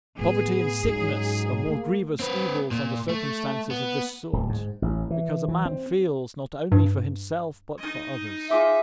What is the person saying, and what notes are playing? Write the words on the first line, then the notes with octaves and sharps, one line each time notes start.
Poverty and sickness are more grievous evils under circumstances of this sort; because a man feels not only for himself, but for others.
A2 B3 G#4
G#2 F#3 C#4 D#4
A3 A#3
C4 B4
A#2
A3
B3
D1
G#2
A1
E3
E3
C4
G2
D#4 D#5
F4 G#4 E5 D6